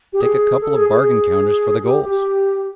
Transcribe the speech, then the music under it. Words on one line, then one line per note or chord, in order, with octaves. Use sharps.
Take a couple of bargain-counters for the goals.
G4
G#4
A4
G#4
G#4
G4
G4